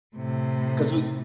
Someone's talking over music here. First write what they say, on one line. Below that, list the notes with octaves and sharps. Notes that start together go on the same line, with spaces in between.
'Cause we
A2 C3